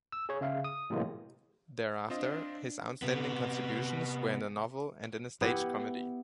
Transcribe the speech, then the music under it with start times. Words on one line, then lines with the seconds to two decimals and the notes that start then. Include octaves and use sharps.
Thereafter, his outstanding contributions were in the novel and in a stage comedy.
0.12 E6
0.29 G#4 C#5
0.41 C#3 E5 F5
0.64 D#6
0.90 A2 C3 E3 F#3 G#3 A#3
2.10 C4 D4 F4 D#5
3.02 C3 B3
5.41 B3 E4 G4